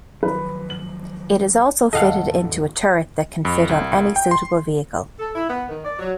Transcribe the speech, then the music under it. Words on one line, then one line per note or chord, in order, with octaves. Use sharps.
It is also fitted into a turret that can fit on any suitable vehicle.
D#3 F3 F#3 B4
F#7
E2 A2 D#3 A4 D#5 F5 F#5
F2
C2
G5
C6
A4
E4
B3
D#3
D5
F#3